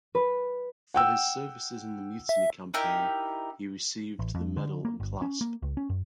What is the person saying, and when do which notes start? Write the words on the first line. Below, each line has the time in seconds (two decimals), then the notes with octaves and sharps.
For his services in the Mutiny campaign he received the medal and clasp.
0.15 B4
0.94 F#5 G5 E6
2.29 E5
2.74 D#4 E4 G4 A#4
4.19 A1
4.35 F2
4.57 D3
4.85 A#3
5.00 G1
5.22 C#4
5.41 A#3
5.62 C#2
5.77 C#4
5.90 F#2